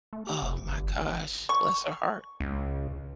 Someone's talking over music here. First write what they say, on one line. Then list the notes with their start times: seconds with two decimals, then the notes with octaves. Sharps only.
Oh, my gosh, bless her heart.
0.13 A3
0.27 G4
0.42 F1
0.69 G1
1.49 C#6
2.40 C#2